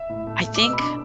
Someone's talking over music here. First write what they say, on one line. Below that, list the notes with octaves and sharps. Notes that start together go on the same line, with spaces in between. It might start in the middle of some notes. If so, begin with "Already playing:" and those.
I think
Already playing: E5
A2
A3
A3
D6
B2 E6
B5
D4 D6